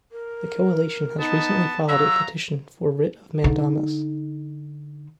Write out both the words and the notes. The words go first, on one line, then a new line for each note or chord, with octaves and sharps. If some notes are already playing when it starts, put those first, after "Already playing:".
The Coalition has recently filed a Petition for Writ of Mandamus.
A#4
B3 D#4 A5
F#3 F5 A#5 E6
D3 D#4